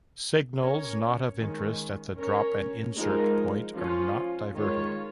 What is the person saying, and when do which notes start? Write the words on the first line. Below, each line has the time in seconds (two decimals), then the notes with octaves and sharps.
Signals not of interest at the drop-and-insert point are not diverted.
0.60 C#4 A#4 C#5
1.39 D#3 G#3 C#4
2.18 C#4 A#4 C#5
2.97 F3 G#3 D#4 A#4
3.76 F3 C#4 F4
4.54 D#3 G#3 F4 C#5